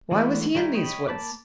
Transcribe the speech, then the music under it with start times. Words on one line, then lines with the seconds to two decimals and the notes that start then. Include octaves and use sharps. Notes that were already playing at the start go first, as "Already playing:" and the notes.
Why was he in these woods?
0.11 E3 G#3 A3 B3 E4
0.55 D#3 G3 D#4 E4
0.74 C#5 D#5 G5 B5
1.08 A#3 A5 B5 D6